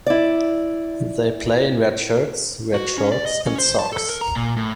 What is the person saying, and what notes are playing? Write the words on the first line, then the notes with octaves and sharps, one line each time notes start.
They play in red shirts, red shorts and socks.
E4 D5
F#4
C#4
D5
D#5
C#4
C5
A5
A4
A#4
A#5
A#2
A2